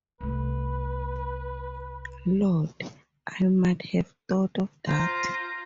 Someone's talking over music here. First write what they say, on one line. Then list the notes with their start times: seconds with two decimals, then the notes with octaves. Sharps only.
Lord, I might have thought of that.
0.21 C2 A3 B4
4.88 F4 C5 A#5